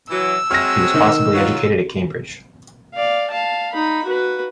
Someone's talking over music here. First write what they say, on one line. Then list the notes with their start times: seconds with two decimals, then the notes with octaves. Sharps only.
He was possibly educated at Cambridge.
0.11 E3 F#3 E6
0.51 F#3 G#3 C4 F6 A#6
0.94 D#3 D#4
1.34 F#3 F4
2.95 D5 F5
3.31 F5 A5
3.73 D#4 B5
4.05 F#4 B4